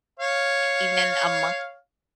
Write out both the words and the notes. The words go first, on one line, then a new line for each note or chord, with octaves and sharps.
even in among
C#5 F5